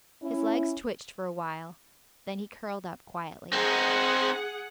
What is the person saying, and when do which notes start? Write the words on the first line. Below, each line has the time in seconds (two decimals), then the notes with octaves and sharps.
His legs twitched for a while, then he curled up quietly.
0.22 C#4 E4
3.53 C4 D#4 G#4 F#5